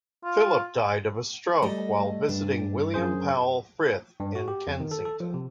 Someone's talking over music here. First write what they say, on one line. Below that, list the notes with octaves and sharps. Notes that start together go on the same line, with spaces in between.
Phillip died of a stroke while visiting William Powell Frith in Kensington.
F4
G3 A3 A4 D#5
G2 D4
F#2 G#4 C5
G2
F#4
G4
F2
D#3
A4
A4
F3
C3